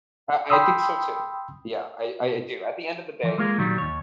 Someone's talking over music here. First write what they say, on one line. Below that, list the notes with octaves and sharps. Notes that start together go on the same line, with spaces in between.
I I think so, too. Yeah, I I I do. At the end of the day,
G5 B5 C6 D#6 E6
E3 F3
G#3 A#3 F4 G#4 A#4
A#2 D#3 F#3 G3
D#2 C#5